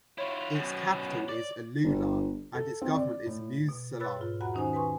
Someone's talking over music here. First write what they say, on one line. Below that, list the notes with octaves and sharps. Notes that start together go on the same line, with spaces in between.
Its capital is Alula and its governor is Musse Salah.
E4 F4 C#5
F#2 B2
D5
G1
A4
C4
D5
A2
B2
B4 C#5 B5 E6 F#6 A6
G#2 F4
E2 F#4 F#5 A#5 B5
D#3 C#4 D#4 C5 G#5 D#6
B4 G#5 C6 C#6